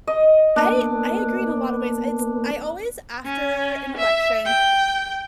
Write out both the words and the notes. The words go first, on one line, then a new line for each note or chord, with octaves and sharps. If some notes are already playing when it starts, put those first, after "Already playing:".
I I agree in a lotta ways. It's I always after an election,
D#5
A#3 B3 D4
C#4
E5
G5